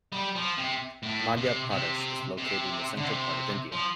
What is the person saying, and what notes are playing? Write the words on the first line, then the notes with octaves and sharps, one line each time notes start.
Madhya Pradesh is located in the central part of India.
G3
F3
C3
A2
C3
C3
C3
D3
C3
F3